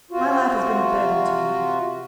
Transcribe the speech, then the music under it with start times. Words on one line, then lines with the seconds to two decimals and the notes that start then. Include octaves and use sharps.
My life has been a burthen to me.
0.11 C3 F4 F#4